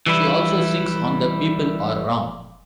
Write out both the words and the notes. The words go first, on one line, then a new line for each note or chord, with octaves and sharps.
She also sings on the People Are Wrong!
E3 G3 E4